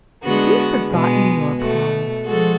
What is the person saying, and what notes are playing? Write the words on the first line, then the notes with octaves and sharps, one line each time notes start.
Have you forgotten your promise?
D3 G#3 B3 F#4
B2 G#3 B3
B2 A3 F#4
F3 G#3 F#4 A4